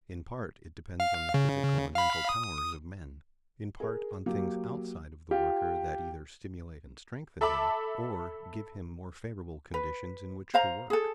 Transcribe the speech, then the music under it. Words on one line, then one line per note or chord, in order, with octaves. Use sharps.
In part it depends on the physical and mental powers of men; in part on things outside of the worker that either stimulate and strengthen him, or give him more favorable conditions in which to work.
F5
C#3
F5 B5
D#6
G#4 A#4
F#3 A#3 G4
F4 G4
A4 E5 A5 B5 D6
B4
C5 F5 A#5
G#4 A4